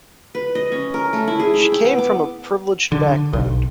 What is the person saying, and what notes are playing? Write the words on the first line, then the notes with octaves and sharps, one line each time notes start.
She came from a privileged background.
B4
D#5
C#4
A#4
A3
E4
G#4
E4
G5
B3
D6
D3
B1